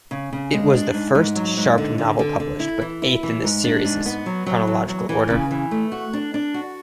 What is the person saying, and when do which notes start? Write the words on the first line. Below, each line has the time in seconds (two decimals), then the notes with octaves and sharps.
It was the first Sharpe novel published, but eighth in the series' chronological order.
0.11 C#3
0.33 C#3
0.53 G#3
0.73 D4
0.94 G#2
1.15 G#2
1.36 F#3
1.57 G#2
1.78 D3
1.98 D3
2.19 D3
2.40 D3
2.60 E4
2.81 E3
3.02 E4
3.23 E3
3.44 G#2
3.64 D4
3.85 G#2
4.06 B3
4.26 F#3
4.46 F#3
4.67 E2
4.88 F#3
5.09 E3
5.30 C#3
5.51 E3
5.71 A3
5.92 F#4
6.13 D4
6.34 D4
6.54 F#4